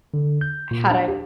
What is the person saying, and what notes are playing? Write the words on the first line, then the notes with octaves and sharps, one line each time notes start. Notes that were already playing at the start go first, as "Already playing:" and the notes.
had I
D3
G6
A#2
D4
G4